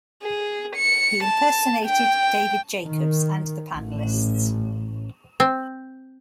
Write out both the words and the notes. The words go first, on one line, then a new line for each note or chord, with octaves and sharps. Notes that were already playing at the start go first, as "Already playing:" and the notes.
He impersonated David Jacobs and the panellists.
G#4
C#7
A5
G5
D#3
A1
C4